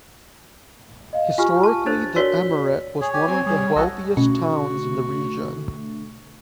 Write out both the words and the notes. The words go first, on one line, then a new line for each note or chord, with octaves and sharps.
Historically the emirate was one of the wealthiest towns in the region.
D#5 F5
F4 G4 G#5 C#6 F6
A5
D4 A4 C5 A6
F#4 A#4 C#5 D5 B6 G7
G#4 C#5
G4 G#5
C4 G#5
G3 G#4
B1 F#4 A4 D#5
B2 D3 A3 C#4 F#4